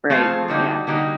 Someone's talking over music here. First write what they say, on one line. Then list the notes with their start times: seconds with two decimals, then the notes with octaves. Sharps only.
Right. Yeah.
0.10 F3 A3 C4 F4 G#4
0.48 D3 G3 A#3 D#4 F#4
0.87 D3 G3 A#3 D#4 F#4